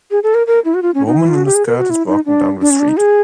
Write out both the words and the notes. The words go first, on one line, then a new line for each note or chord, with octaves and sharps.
A woman in a skirt is walking down the street.
G#4
A4
A#4
A#4
E4
F#4
F4
C#4
D#4
E4
F4
F#4
G4
G#4
A#4
F#4
E4
D#4
D4
D4
C#4
D4
D#4
G#4